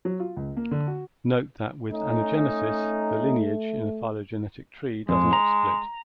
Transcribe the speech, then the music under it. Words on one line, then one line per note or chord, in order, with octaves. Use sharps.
Note that with anagenesis the lineage in a phylogenetic tree does not split.
F#3
F4
C#2
A#3
D3
F#4
A3 C#4 D#4
F2 G#3
A#5